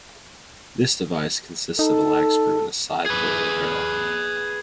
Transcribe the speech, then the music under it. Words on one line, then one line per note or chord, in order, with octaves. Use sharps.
This device consists of a lag screw and a side plate with a barrel.
D#4 A4
G#4 B4